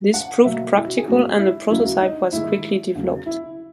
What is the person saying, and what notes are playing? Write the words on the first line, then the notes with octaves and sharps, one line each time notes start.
This proved practical and a prototype was quickly developed.
F#5
B2 F#3 A#3 E5
E4
F#4
G#4
G#2 F#3 A#3 C#4 F#4
E4
D#2 C#3 F#3 A#3 C#4 E4
F#4
D#4
G#2 D#3 G#3 E4
E2 C#3 F#3
E4